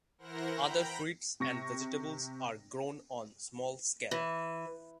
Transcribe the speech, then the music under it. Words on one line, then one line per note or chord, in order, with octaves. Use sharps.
Other fruits and vegetables are grown on small scale.
E3 E4 A#4 C5 F#5 A#6
G5 A#5 B5
C3 C#6 A#6
E3